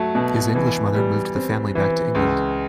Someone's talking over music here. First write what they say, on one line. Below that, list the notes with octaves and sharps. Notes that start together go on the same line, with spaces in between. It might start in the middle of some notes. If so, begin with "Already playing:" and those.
His English mother moved the family back to England.
Already playing: F#3 A3
B2
E3
G3
C4
E3
C#2